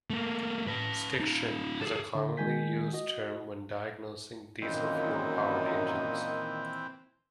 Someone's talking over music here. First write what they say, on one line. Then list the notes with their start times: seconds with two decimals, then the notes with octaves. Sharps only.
Stiction is a commonly used term when diagnosing diesel fuel powered engines.
0.10 A3 A#3
0.67 B4 A5
1.20 D#4 F4
1.81 G#4 A4
2.15 D3
2.37 D#3 G#3 G#5 G6 B6
2.93 F#4 D#5
4.62 F#2 A#2 D#3 E3 C4 D#4